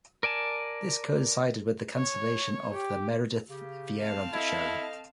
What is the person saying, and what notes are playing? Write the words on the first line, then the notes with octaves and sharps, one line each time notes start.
This coincided with the cancellation of "The Meredith Vieira Show".
A#4 D5 G#5 A5
C#5
G4
C#3 G4
C4 F5 A5
E4 A4 D#5